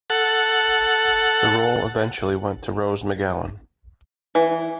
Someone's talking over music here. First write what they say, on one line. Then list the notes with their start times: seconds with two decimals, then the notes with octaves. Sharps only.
The role eventually went to Rose McGowan.
0.10 A4 F#5
4.35 E3